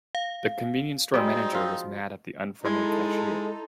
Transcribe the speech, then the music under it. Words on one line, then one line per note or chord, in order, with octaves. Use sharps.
The convenience store manager was mad at the unfriendly cashier.
F5
G3 G#3 C4 D#4 F#4
F3 F4
G#3 D#4 E4 A4 C6 G#6